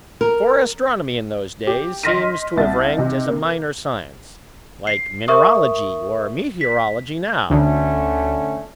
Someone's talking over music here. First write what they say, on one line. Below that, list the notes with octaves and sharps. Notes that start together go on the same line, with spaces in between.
For astronomy in those days seems to have ranked as a minor science, like mineralogy or meteorology now.
A#4
G4
D#5 C6 F6 A#6 B6 D#7
C2 E5 A6
C3 D#4
A#3
C7
A#4 E5 C#6 D#6
B6
D2 D3 A3 C#4